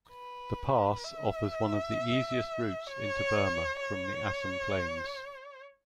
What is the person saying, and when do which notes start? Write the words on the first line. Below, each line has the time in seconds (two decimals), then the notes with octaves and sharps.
The pass offers one of the easiest routes into Burma from the Assam plains.
0.11 B4
1.04 E5
2.87 C#5
3.80 C#5